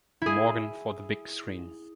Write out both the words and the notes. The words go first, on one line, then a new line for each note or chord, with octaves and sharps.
Morgan for the big screen.
E4 G#4